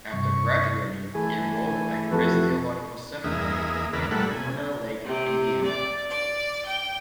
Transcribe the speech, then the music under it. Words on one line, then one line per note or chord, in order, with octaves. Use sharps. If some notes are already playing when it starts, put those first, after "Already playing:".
After graduating he enrolled at Grace Theological Seminary in Winona Lake, Indiana.
G2 C3 C#6
E3 A3 G#4 G#5
F2 F#4 G4 A4 B4
E2 A#3 G#4 D#5 E5
E2 C#3 A#4 B4 D5 E5
A#2 G3 A3 A4 F#5 B5
G#5
C3
D5
D5
G5